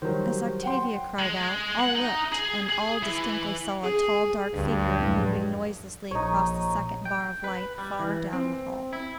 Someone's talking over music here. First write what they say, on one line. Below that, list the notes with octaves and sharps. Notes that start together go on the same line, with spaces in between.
As Octavia cried out, all looked, and all distinctly saw a tall, dark figure moving noiselessly across the second bar of light far down the hall.
D#3 F#3 G3 C5
F#5 G5 C6
G#3
F#5
D#4
G#4
G#4
E3
G#4
D2 G2
F2 A2 F#3
A#1 D#4 C#5
G5
B4
G3
E3
C4
E4